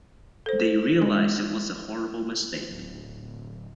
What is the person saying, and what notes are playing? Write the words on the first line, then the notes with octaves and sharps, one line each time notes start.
They realize it was a horrible mistake.
A4 C5
G#3
D1